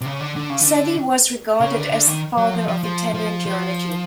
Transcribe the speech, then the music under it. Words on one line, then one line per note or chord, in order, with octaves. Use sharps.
Savi was regarded as the father of Italian geology.
C3
C#3
D3
D3
C#3
D3
C#3
D3
D3
D#3
F#3
F3
F3
F3
F3
F3